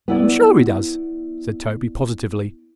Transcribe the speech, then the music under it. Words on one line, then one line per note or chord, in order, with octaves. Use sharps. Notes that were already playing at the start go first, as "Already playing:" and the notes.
"I'm sure he does," said Toby, positively.
B3 E4 D5